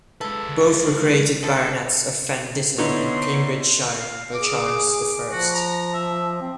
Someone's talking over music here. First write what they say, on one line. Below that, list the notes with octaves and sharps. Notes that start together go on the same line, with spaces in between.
Both were created baronets of Fen Ditton in Cambridgeshire by Charles the First.
G#3 A4 B4
D3 F3 A4 A5
D3 B3 D#4 E4 C#5 C6
F5
G#4 D6
F3 F#4
A#5
E5
C4